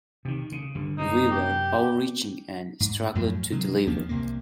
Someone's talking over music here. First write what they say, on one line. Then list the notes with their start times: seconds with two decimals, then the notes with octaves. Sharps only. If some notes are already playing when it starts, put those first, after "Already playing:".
We were overreaching and struggled to deliver.
0.25 C3 D#3
0.52 C#3
0.75 G1 D3 G3
0.98 F#2 C3 D#4
1.31 G4
2.80 G#2
3.15 F#2 A2 F3 F#3
3.51 C3 D#3 F#3 G#3
3.87 D#2 F3 A#3 B3
4.09 C2 C3 A#3